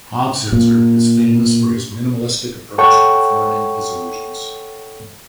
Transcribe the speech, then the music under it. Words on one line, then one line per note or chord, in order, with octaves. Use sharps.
Hofzinser is famous for his minimalistic approach to performing his illusions.
A#2
A4 C#5 F#5 G5 C#6